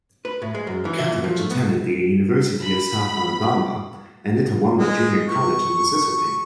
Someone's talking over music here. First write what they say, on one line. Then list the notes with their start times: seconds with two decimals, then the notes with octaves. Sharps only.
Catledge attended the University of South Alabama and Itawamba Junior College in Mississippi.
0.25 B4
0.42 A2
0.55 G#3
0.67 F#2
0.85 E3
0.98 E5
1.11 A#2
1.24 F3
1.39 A3
1.51 B3
2.61 B5
4.79 G#3
5.29 C#6